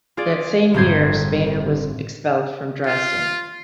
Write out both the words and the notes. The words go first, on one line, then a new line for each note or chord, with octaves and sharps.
That same year Spener was expelled from Dresden.
F4 G#4 D5
G1 A2 C4 G6 G#6 C7
F4